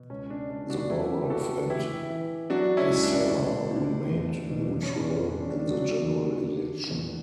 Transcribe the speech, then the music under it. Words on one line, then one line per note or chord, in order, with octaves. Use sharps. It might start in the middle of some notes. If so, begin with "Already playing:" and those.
Soboroff and Becerra remained neutral in the general election.
Already playing: B2
C#2 C#4
D4
C#2 D4
D4 F#4
G3 E4 G4
G4
B3 F#4 A4
E3 E4 G4
E3
F#3 D4 F#4
C#4 E4
C#2
D4
D2
D2
E2
B2
C#4
A2 D4
C#4
G3 D4
C#4
D4
F#3 D4 F#4
C#3
D3
E2